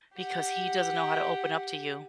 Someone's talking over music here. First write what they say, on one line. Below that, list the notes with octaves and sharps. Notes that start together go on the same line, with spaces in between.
because he doesn't know how to open up to you.
G4 F#5